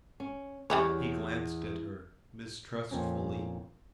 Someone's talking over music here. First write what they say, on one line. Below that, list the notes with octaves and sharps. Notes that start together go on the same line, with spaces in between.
He glanced at her mistrustfully.
C#4
E2 G3 C#4 C#5
F2 A#2 C4 C#4